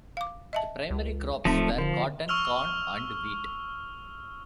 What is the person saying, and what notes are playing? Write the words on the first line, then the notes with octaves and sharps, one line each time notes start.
The primary crops were cotton, corn and wheat.
F5 D6
D#5 E5 A5
C#2
D1 F3 A3 C4 D#4 A5
D3 F3
C#6 E6 F6 F7 G7